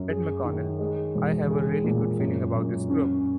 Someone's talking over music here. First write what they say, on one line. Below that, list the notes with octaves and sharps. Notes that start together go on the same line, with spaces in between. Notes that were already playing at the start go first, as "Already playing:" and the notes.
Said McConnell, I have a really good feeling about this group.
Already playing: F#2
G#4
D#3
G#3
E1
G#4
A#2
F#2
F#2
C#4